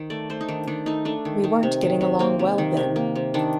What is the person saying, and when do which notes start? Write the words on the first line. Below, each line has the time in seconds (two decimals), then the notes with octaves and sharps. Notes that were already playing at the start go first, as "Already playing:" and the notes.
We weren't getting along well then.
Already playing: D#3 C5
0.10 A3 D5
0.30 A3 C5
0.41 D#4
0.48 D#3 D4
0.67 D#3 D4
0.86 A3 D#4
1.05 A3 D4
1.25 D#3
1.44 D#3
1.63 C3
1.82 D#3
2.01 C3
2.19 A#3 C4
2.39 C3
2.58 D#3
2.77 C3
2.96 A#3
3.15 C3
3.34 D#3 D4